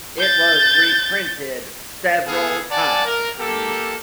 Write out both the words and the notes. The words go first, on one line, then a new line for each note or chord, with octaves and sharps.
It was reprinted several times.
G6 A6
B3 G#4 A4 F5
D5 F#5 G#5 A5
A#4
A#3 G4 A4